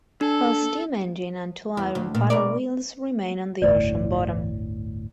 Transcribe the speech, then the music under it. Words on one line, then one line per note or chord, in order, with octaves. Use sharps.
Her steam engine and two iron paddle wheels remain on the ocean bottom.
D4 A4
E2
D2
A#2
B2 A#4 D5
G1 D2 A2 D5